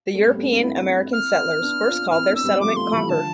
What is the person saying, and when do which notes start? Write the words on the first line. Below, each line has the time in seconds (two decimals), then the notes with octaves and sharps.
The European-American settlers first called their settlement Concord.
0.14 A3 C4
0.26 G3 B3
0.39 A3 C4
0.51 B3 D4
0.63 C4 E4
1.13 F6
1.61 B3 D4
1.87 D4 F4
2.11 C4 E4 F6
2.28 B3 D4
2.35 E6
2.44 G3 B3
2.60 F3 A3 D6
2.76 F3 A3 C6
2.93 E3 G3 B5
3.09 D3 F3 A5